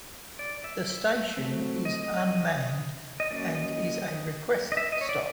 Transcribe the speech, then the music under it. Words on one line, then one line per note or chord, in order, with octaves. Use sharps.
The station is unmanned and is a request stop.
D5
E5
F#3 A3 C4
D#5
D#5
F#3 A#3 C#4 D5
D#5
D#5
E5
D#5
C#5
D5